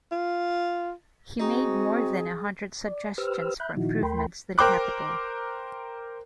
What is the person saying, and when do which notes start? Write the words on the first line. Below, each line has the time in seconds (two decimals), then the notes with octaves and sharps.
He made more than a hundred suggestions for improvements to the capital.
0.12 F4
1.40 C4 D#4 F#4 G#4
2.87 D5
3.18 G4 B4 C5 E6 F6
3.60 E5 B5 F#6 G6
3.77 A#2 D#3 F3 D#4 E4 F#4
4.03 D#2 A3 A#4 G5 B5 C6
4.58 A#4 C5 G5 D6 F#6